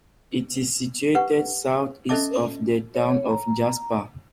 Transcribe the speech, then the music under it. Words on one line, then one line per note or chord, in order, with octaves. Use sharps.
It is situated southeast of the town of Jasper.
G4 B4 F#5 C#6
C#4 A4 D#5 E5 A5 D6
C#5
A#5